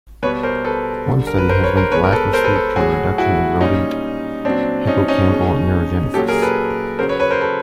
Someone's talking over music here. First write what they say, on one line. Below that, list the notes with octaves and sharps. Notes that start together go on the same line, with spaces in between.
One study has linked lack of sleep to a reduction in rodent hippocampal neurogenesis.
B2 G3 B4 C#5
A#4 C5
A4 B4
D3 G3
A#4
B4
A#4 C5
B4 C#5
A#4 C5
B2 G#3 B4 C#5
A#4
A4 B4
A#4 C5
A4 B4
A4 B4
A2 F#3 F#4 G#4
E4 F#4
A#2 G3 C#4 D#4
A#2 F#3 C4 D4
C#4 D#4
C#4 D#4
B2 G#3
A#2 F#3 G4 A4
G#4 A#4
A4 B4
C#3 F#3 A#4 C5
B4 C#5
B4 C#5
A#4 C5
A4 B4